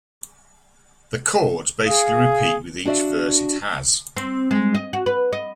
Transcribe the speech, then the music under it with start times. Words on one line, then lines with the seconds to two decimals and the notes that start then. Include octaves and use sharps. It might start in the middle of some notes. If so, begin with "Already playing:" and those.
The chords basically repeat with each verse it has.
1.86 G#4 F5 D#6
2.85 D4 F#4 D5 E5 F5
4.17 C4
4.51 G#3
4.75 D#5
4.93 F#4
5.06 B4
5.33 D#5